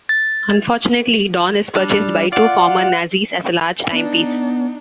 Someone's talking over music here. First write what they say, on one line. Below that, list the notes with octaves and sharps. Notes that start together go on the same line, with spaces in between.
Unfortunately, Don is purchased by two former Nazis as a large timepiece.
A6
G3 D4
F4 D5 F#5
B3 D4 D#4